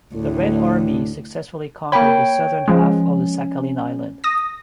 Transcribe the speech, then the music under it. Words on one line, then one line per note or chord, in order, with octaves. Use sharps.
The Red Army successfully conquered the southern half of Sakhalin Island.
D2 A2
A#3 C#5 G5 B5
F3 G#3 C#4
D#6 A#6